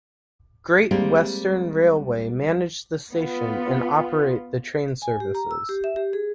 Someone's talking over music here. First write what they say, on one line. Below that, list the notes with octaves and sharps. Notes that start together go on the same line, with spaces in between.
Great Western Railway manage the station and operate the train services.
G3 G#3 A#3 C4 G4
B3 F4
G#5
G4
A#5
E6
G4
E5
G4
G#4